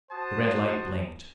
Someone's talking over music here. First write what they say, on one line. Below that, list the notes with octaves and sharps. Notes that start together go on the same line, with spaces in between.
The red light blinked.
F#4 C5 A5 D#6